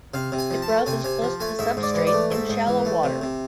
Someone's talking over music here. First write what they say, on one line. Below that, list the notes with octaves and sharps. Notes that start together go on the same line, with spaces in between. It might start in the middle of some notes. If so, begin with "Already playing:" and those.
It browses close to the substrate in shallow water.
C3 F5
C3
G#5
F3
A5
A3
C3 G#5
C3 G#5
F3
A3 G#5
G#2 E5
G#2
D5
E3
D5
A3
G#2 E5
G#2
E3
A3
C3
C3